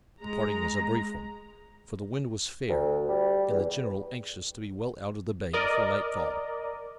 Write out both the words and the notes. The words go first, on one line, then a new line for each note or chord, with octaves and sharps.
The parting was a brief one, for the wind was fair, and the general anxious to be well out of the bay before nightfall.
G#3 A#5
D2
G3
E2
A#4 D5 D#5